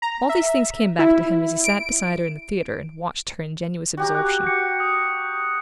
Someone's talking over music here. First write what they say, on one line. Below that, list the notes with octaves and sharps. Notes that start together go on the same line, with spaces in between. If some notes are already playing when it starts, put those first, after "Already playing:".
All these things came back to him as he sat beside her in the theatre and watched her ingenuous absorption.
A#5
E5
E4
D7
F#4 G4 A#5
F#6
C#7
D#6